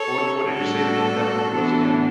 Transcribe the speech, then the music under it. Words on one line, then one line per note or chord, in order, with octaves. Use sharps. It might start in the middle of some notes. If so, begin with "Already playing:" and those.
What d what did you say the name of that movie was, again?
Already playing: A4 C#5
A2 G3 D4 F#4 A4
A2 E3 B3 D4